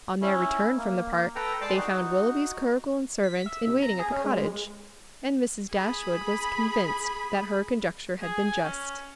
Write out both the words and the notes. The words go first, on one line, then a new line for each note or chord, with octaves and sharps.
On their return from the park they found Willoughby's curricle and servant in waiting at the cottage, and Mrs. Dashwood was convinced that her conjecture had been just.
C#4 E4
A#3
A4 B4 G5 A#5
G#3 D5 G5 A5 C6 D6
D#4 F#4
B6
E5
C3
A#5
G#4
C#4
G#3
G#3
G#4 B5
G#4
G#5
C#4